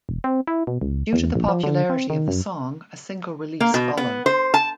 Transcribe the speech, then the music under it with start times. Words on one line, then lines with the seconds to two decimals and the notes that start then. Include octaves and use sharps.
Due to the popularity of the song a single release followed.
0.09 E1
0.24 C4
0.47 E4
0.67 B2
0.81 C#2
1.13 E2
1.35 A#1
1.48 F3
1.63 D3
1.90 C4
2.10 D#3
2.28 F#2
3.60 A#3
3.74 B2
3.97 B3
4.26 C5
4.54 A5